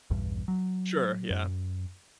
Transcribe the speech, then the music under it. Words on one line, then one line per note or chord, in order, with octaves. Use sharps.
Sure, yeah.
A#1 E2 G2
F#3
F#2